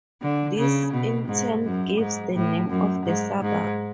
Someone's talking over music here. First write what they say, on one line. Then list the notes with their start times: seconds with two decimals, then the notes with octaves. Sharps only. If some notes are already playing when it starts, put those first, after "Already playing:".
This in turn gives the name of the suburb.
0.22 D3
0.58 C#3
0.94 B2
1.28 G#2
1.64 F#2
1.99 G#2
2.35 A2
2.70 F#2
3.06 G#2
3.42 G#2